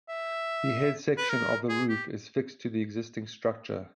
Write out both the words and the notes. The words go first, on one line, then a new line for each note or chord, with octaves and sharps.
The head section of the roof is fixed to the existing structure.
E5
B4
A#4
G#4
G4